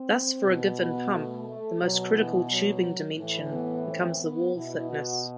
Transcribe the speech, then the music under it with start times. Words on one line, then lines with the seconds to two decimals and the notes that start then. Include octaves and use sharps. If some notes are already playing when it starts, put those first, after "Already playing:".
Thus for a given pump, the most critical tubing dimension becomes the wall thickness.
Already playing: C4
0.46 B2
0.80 B3
1.14 A3
1.48 A3
1.83 B2 F#3
2.16 E3
2.51 F#3
3.18 A2 E3
3.53 B3
3.87 C4
4.22 B3
4.56 B2 E4
4.90 F#4